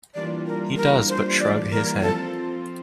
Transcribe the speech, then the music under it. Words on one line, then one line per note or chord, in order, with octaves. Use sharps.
He does but shrug his head.
E3 G3 A#3 D4 F4 D5
A#4
A#4
C5
D5
A#4
F3 C4 F4 A4 C5